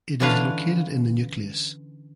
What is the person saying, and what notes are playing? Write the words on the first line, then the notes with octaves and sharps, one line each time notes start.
It is located in the nucleus.
D3 E3 C#4 D4 B4 F5